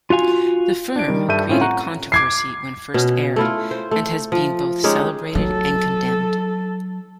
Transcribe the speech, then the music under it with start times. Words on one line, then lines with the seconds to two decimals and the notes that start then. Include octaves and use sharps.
"The Firm" created controversy when first aired, and has been both celebrated and condemned.
0.10 F4 F#4 F5 G#5
0.96 D4 D7
1.08 D#3 G3
1.28 G2 G3 A4 E5 G6 D#7
1.49 A2 C4 C#4 F4
1.61 F#5 A#5 C#6 F#6
2.12 D6 G#6 C7
2.94 B2 C#4
3.36 A3 E4 F4
3.71 C5
3.91 A3
4.32 F3
4.84 G#3 C#4 D#4 G4
5.35 F#3 D#4 A4